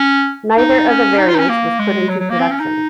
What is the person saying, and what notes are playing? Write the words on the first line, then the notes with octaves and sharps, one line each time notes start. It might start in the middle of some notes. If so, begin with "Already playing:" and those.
Neither of the variants was put into production.
Already playing: C#4
D#4
C#4
D#4
F4
D#4
C#4
A#3
G#3
F#3
F#3
A#3
C4
C#4
D#4